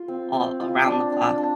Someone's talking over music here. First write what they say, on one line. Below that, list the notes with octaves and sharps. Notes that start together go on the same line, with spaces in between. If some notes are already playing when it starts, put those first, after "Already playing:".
all around the clock.
Already playing: F4
C4
C4
F4
D4
D4
D4